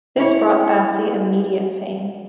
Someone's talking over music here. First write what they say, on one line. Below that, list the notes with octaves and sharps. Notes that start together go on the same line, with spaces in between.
This brought Bassi immediate fame.
E4 C#5